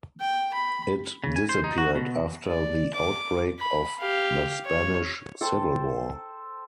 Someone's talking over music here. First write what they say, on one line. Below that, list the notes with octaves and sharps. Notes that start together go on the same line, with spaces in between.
It disappeared after the outbreak of the Spanish Civil War.
G5
B5
C#3
G#5
C5
D#4
F#4
B2
D5
D6
B5
G4 F5
C#5
A4 C5 G5 A5